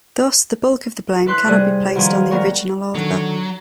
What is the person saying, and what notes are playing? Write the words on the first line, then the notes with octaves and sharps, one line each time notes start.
Thus, the bulk of the blame cannot be placed on the original author.
E3 B4 C6 F#6
C3 G3 G#4
B2 D#3 F3 G#4
G3 B3 A#4 C#5
D3 D#3 F#3